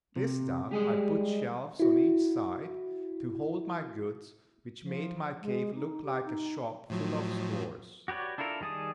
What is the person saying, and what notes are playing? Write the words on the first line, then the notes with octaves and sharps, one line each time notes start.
This done, I put shelves on each side, to hold my goods, which made my cave look like a shop full of stores.
C3
G3 G#3 G4 G#4 D#5
E4 F#4
F3
G#3
D#4
G4
D#4
A2 F3 F#3
F#4 G4 B4 C#5 D5
D4 E4 F4 A4 A#4
D#3 G3 G#4 A5 D#6